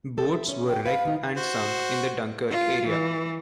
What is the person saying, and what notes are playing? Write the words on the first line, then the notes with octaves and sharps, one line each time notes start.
Boats were wrecked and sunk in the Dunkirk area.
C4 A4
E5
C#4
G5
B4 F5
D#3 D#4
F#4 C5
F4
E3